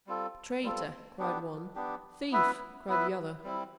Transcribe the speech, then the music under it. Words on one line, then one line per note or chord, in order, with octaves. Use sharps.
Traitor, cried one; thief, cried the other.
G3 C4 F4 A4
G3 C4 F4 A4
B3 D4 G4
B3 D4 G4
B3 E4 B4 E5
B3 E4 B4 E5
G3 C4 E4